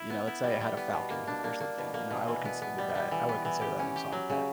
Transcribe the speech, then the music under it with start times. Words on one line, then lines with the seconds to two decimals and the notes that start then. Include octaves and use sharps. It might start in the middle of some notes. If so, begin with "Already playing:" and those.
you know, let's say I had a falcon, or something, you know, I would consider that I would consider that an exotic pet,
Already playing: E4
0.10 B3
0.27 E4
0.44 G3
0.61 G3
0.77 B3
0.93 B2
1.10 A#3
1.27 D4
1.44 A#3
1.60 A#3
1.78 B2
1.94 A#3
2.11 B2
2.28 E3
2.45 B3
2.62 B3
2.78 G3
2.95 G3
3.11 E3
3.29 B3
3.45 E3
3.61 G4
3.79 C#4
3.96 G4
4.12 F#3
4.30 C#3